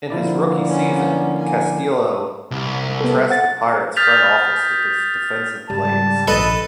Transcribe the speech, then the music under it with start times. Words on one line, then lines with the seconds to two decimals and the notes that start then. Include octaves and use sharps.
In his rookie season, Castillo impressed the Pirates front office with his defensive plays.
0.10 D3 F3 A#3 E4 D5
0.67 B3 C#4
1.40 G#5
2.51 C2
3.00 B3 A4
3.30 F#5 A6
3.97 D#6 F6 G6 A6 B6 F7
5.70 G#2 C#3 G3 A5
6.28 A#1 A4 B4 D#5